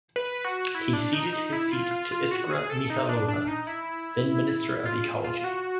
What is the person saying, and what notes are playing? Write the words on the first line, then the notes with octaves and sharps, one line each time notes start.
He ceded his seat to Iskra Mihailova, then-minister of ecology.
B4
F#4
E4
D4
D#4
D#4
E4
F4
F4
F4
F#4
G#4
A4
D#4
D4
D4
D#4
E4
F4
F4
F#4